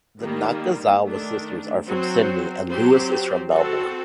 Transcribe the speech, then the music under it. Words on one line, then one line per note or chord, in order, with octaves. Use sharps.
The Nakazawa sisters are from Sydney and Lewis is from Melbourne.
D#3 G3 A#3
D#3 A3 D4
F#3 C4 F#4 C5
F#3 C4 G4 C5
C4 F#4 A4